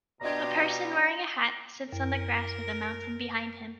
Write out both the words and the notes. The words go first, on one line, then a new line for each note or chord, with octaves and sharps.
A person wearing a hat sits on the grass with a mountain behind him.
B2 D4 F4 G4 D5 D#5 A#5 G#6
F#2 A#4